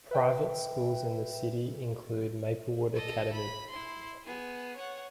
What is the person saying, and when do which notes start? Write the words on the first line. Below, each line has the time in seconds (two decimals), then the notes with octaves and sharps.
Private schools in the city include Maplewood Academy.
0.11 B4 E5 G5
2.95 A4 D#5
3.33 B5
3.70 E4 C6
4.24 B3 G#4
4.76 C#5 F#5